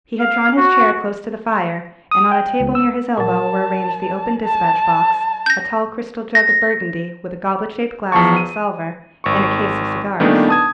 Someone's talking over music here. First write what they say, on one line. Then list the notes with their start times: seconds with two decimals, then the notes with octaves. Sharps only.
He had drawn his chair close to the fire, and on a table near his elbow were arranged the open despatch-box, a tall crystal jug of Burgundy, with a goblet-shaped glass, on a salver, and a case of cigars.
0.19 F5
0.57 F#4
2.11 D#6
2.32 G5
2.60 C#2
2.75 E6
3.18 A#2 F#3 A5
4.44 A5
5.46 G6 A#6
6.35 A#6
8.12 E2 F3 A5 C#6
8.37 D#7
9.24 G#1 C#6
10.20 A#2 D#3 G3 A3 B3 D4
10.49 A5 D#6 G#6